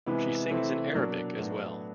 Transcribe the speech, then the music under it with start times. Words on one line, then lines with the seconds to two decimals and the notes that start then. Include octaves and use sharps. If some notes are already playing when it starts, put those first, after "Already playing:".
She sings in Arabic as well.
0.06 C3 E3 G#3 B3 E4
0.50 C3 E3 A3 C4 E4
0.95 B2 F#3 A#3 D4
1.39 A2 F#3 B3 D4